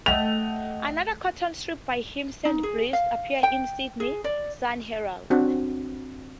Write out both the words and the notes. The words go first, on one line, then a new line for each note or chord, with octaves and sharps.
Another cartoon strip by him, "Sandy Blight", appeared in Sydney's "Sun-Herald".
A3 D#5 F#5 G5 F7
D#4
G#4
F5
G5
G#4
D5
C4 D4 F#4